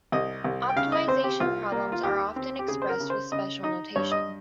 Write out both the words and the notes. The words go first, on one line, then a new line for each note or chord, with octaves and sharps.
Optimization problems are often expressed with special notation.
C2 D#5
C2
G5
C#3 F5
D#5
C4 C5
G4
C2 F4
A#3
F4
D#2 G4
C4
G4
C#3 G#4
C5
A#4
C#3
C5
C#3 D#5
D#4 D#5
G2 C#5
D#5